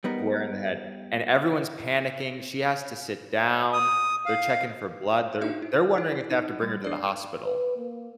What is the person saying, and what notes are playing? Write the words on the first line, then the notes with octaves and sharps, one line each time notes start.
Square in the head. And everyone's panicking, she has to sit down, they're checking for blood, they're w they're wondering if they have to bring her to the hospital.
G3 B3 D#4 A#4
D#6
F5
D4 D#4 F#4 E5
E4
E4
D#4
G3
D4 D5
B4
A#3